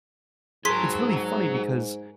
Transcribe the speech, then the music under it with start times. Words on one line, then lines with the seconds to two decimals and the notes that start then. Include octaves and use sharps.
It's really funny because
0.65 G#2 F#3 G#4 A#4 C6 B6